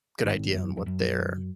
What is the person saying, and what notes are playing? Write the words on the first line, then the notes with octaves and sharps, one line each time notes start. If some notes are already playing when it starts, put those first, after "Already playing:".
good idea on what they're
G#1 G#2
F#2
F2
F#2